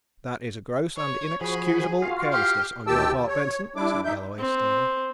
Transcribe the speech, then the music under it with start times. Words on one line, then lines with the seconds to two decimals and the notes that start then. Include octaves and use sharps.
"That is gross and inexcusable carelessness on your part, Benson," said Galloway sternly.
0.97 C#5
1.41 F3 F#4 G#4 B5
2.02 F4 F#4 F5
2.32 G4 F6
2.87 D2 D#3 G4 G5 A5 E6
3.28 C#5
3.76 G3 D4 E4 D6
4.04 D#4 E5 G6
4.38 C4